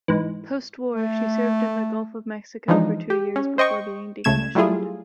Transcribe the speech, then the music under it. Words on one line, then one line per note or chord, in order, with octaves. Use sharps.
Post-war, she served in the Gulf of Mexico for two years before being decommissioned.
G#2 E3
A3
E3 F3 G#3 D4 D#4
G4
C#4
C5 D#5 G5 C#6
C#2 C#3 A3 G#6 E7
F#3 G3 A3 E4 F4 G#4